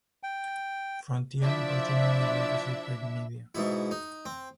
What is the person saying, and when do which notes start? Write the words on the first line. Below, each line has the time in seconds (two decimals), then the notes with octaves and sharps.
"Frontier" was generally well received by the media.
0.23 G5
1.43 F3 D4 E4 D5 E5
3.55 G#2 B2 E4
3.91 D#4
4.25 C4